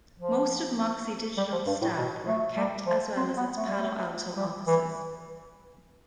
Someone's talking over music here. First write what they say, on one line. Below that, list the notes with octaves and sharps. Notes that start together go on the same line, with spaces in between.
Most of Moxi Digital's staff were kept as well as its Palo Alto offices.
F3
G3
F3
G2
A2
B2
A3
G3
F3
C4
B3
A3
G3
A3
G3
E3